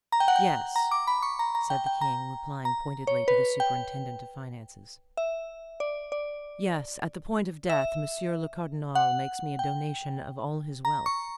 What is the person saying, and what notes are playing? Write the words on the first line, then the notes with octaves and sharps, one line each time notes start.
"Yes," said the king, replying pointedly to the superintendent of finances, "yes, at the point of death, monsieur le cardinal makes me a donation of all his wealth."
A#5
G5
F#5
G5
A#5
D6
B5
C#6
A#5
A#5
G5
G5
A#5
A#5
C#5
B4
G5
E5
D5
D5
E5
F#5
G5
A#5
C#6